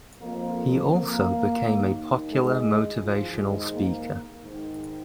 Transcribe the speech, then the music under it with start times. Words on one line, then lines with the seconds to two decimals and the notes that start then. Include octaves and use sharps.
He also became a popular motivational speaker.
0.20 F2 F3 A#3
0.91 A#3
1.61 D#2 D#3
2.31 G#3
3.01 G#2 D#3 F3
3.37 G#3
3.72 A#3
4.42 G#2 D#3